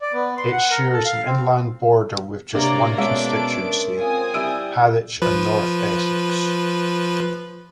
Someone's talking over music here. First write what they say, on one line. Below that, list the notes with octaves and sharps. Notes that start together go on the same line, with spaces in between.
It shares an inland border with just one constituency - Harwich and North Essex.
D5
B3
C6
F#5
A#4
A4
F5
C4
C3 A#3 D4 C#5 D5 A#5
B2 G#3 C#4 D4 D5 E5 D7
A#4
C4 F4 G#5 D#6
G3 E4 E6 D7
F3 B4